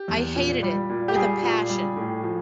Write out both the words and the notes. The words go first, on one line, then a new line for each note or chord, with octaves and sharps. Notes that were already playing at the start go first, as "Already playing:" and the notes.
I hated it with a passion.
Already playing: G4
E2
A#2
G3
A#2
G4
G3 G#4
A#2
G3
A2
F3